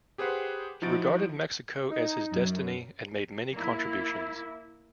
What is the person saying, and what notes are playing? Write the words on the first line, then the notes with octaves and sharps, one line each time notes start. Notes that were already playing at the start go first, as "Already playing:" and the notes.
He regarded Mexico as his destiny and made many contributions.
G4 G#4 B4 C5 F#5
F3 D#4 E4 F#4 A6 D7
D#4
F#2
A#3 E4